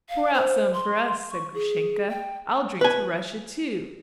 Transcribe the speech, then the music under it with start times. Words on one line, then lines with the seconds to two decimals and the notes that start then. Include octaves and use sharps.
"Pour out some for us," said Grushenka; "I'll drink to Russia, too!"
0.09 F5
0.34 C5
0.74 C6
1.31 C#6
1.54 G#4
2.09 G5
2.81 B4 G#5